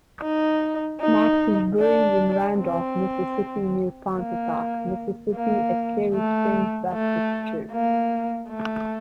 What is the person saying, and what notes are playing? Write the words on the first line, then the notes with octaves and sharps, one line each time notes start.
Max is buried in Randolph, Mississippi, near Pontotoc, Mississippi at Carey Springs Baptist Church.
D#4
D#4
D4
C4
A#3
A#3
A3
A3
A#3
A3